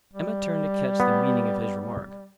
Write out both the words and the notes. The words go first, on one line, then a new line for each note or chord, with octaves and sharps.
Emma turned to catch the meaning of his remark.
G3
B3